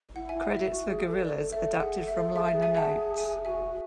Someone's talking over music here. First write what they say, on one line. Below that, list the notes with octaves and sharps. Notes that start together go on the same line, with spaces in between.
Credits for "Gorillaz" adapted from liner notes.
E4 F#5
E5 G#5
E4
F#5
E4
E5
F#4
G#4
A4
A4 D5
A4 E5
G#4 F#5
A4
E5
A4
G#4 E5
A4
E5
G#4
E5 G#5
F#5 A5
E5 G#5
F#4 E5 G#5